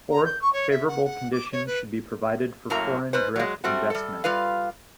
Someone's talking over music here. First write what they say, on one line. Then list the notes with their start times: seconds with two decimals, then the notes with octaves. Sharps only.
Fourth, favorable conditions should be provided for foreign direct investment.
0.11 A#5
0.25 G6
0.41 C#6
0.53 C#5
0.70 E5
0.87 F#5
1.04 F#5
1.32 D6
1.52 C#5
1.66 B4
2.70 F#2 A2 F#3 A#3 A#5
3.13 G#2 B4 C5
3.36 F#3 G#3
3.64 G3 A3 C4 F#4
3.90 G3 A4
4.24 G3 F4 B4 F5